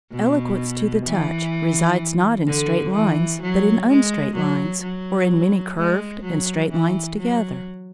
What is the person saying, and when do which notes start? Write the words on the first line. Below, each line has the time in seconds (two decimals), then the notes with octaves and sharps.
Eloquence to the touch resides not in straight lines, but in unstraight lines, or in many curved and straight lines together.
0.12 B2
1.06 E3
2.47 D3
2.94 E3
3.42 F#3
3.89 G#3
4.35 F#3
4.82 F#3
5.76 G#3
6.24 F#3
6.71 E3
7.19 F#3